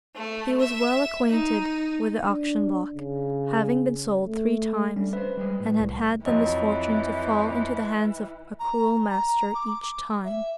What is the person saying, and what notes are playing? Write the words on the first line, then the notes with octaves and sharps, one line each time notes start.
He was well acquainted with the auction block--having been sold three times, and had had the misfortune to fall into the hands of a cruel master each time.
A3
E5
D#4
D4
C#3
A3
G3 C#4 D4
B4 C5 E5
G3 G#3
A2
C2
F2 E3 F#3 D#5
A#5
A#5
D6
E5